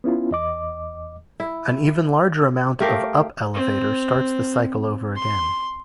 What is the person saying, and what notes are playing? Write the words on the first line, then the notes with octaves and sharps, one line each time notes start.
An even larger amount of up elevator starts the cycle over again.
B3 C#4 E4 F4
E2 D#5 D6
E4
A3 G4 A#4 F5
C4
C6